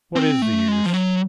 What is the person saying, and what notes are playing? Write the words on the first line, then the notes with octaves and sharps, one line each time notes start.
What is the use?
C4
A3
G#3
F3
F#3